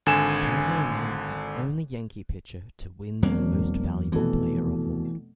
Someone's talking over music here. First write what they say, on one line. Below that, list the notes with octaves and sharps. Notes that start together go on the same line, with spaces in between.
Chandler remains the only Yankee pitcher to win the Most Valuable Player award.
G#1 D3 G#5 E7
E1 E2 F#3 A#3 C4
F1 B2 E3 A4